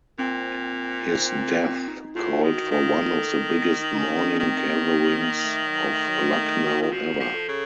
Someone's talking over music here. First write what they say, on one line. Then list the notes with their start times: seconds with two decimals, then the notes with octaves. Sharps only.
His death called for one of the biggest mourning gatherings of Lucknow ever.
0.19 A#2 C4
1.88 D#4
2.15 A2 F4
2.43 D#3 F#4
2.71 D#3 F4
3.13 A4
3.93 D#4
3.98 C#4
4.39 D#3 C4
5.23 A#3
5.44 A3
5.66 F#3
5.87 A3
6.08 F#3
6.36 A3
6.64 F#4
6.82 D#3 F4
6.92 F3 F#4
7.20 F3
7.34 A4
7.48 C#3